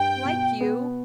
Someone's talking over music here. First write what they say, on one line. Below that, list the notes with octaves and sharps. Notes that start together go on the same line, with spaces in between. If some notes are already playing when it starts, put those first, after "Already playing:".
Like you?
Already playing: G2 G5
B2
B3